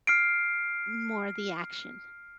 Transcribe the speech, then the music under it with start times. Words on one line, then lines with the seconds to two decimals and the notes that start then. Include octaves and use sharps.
more of the action.
0.07 F6 C7 D7